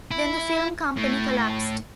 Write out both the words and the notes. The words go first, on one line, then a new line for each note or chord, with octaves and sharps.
Then the film company collapsed.
E4
A2